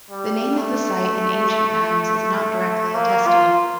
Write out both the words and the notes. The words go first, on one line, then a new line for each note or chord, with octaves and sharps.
The name of the site in ancient times is not directly attested.
G3
A3
A#3
F4